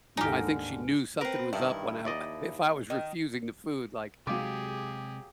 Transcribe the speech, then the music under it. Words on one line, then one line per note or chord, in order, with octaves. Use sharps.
you know, I think she knew something was up when I if I was refusing the food, like,
D#2 G#2 D3 D#4 G4 G#5 F6
C4 A#4 B4
G2 D#3 E4
D#2 D5 D#5
D#3
C3 F#3 G#3 G4 G#4 F5 D6